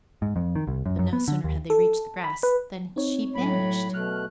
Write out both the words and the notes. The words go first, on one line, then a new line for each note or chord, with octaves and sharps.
But no sooner had they reached the grass than she vanished.
G#2
F2
D#3
C2
F#2
F#2
B3
D3
D#2
A4
B5
B4
C4 D#4 C#5
A2 F#3 B5
B2 A3 F6 F#6